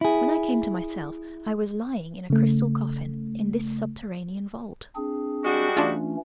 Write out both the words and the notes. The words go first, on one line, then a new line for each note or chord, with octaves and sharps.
'When I came to myself I was lying in a crystal coffin in this subterranean vault.
E4 G#4
C#3 A3
C4 D4 G#4
G3 G#3 F#4
E3 A3 C#4 D4 F4